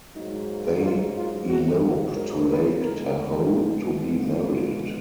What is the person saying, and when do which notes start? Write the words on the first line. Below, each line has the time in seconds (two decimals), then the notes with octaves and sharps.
They elope to Lake Tahoe to be married.
0.13 G#2 F#3 A#3 D#4
0.80 F4
1.14 F4
1.47 F#4
2.14 A#4
2.48 B4
2.82 F2 D3 G#3 B3 A#4
3.16 A#4
3.49 G#4
3.83 F#4
4.17 F4